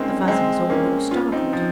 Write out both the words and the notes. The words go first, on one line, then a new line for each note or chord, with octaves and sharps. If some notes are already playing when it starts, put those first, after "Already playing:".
The Fuzzies all looked startled.
Already playing: G#3 A#3 C4 C#4 D#4
G#3 C4
A#3 C#4
C#4 F4
C4 D#4
F3